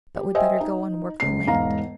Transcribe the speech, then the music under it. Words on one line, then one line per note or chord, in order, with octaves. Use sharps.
But we'd better go and work the land.
G4
C5 D#5 E5 G5 G#5
D#4
C#2 C7
E1 G#2 F5 A#5